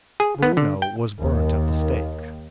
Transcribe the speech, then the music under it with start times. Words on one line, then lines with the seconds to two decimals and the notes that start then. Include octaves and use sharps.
Bruno was burnt at the stake.
0.20 G#4
0.43 B3
0.57 D3
0.82 G5
1.20 D#2